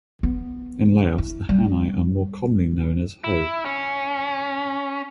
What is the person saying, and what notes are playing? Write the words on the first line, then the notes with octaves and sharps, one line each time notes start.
In Laos, the Hani are more commonly known as "Ho".
B3
E4
G3
E4
C#4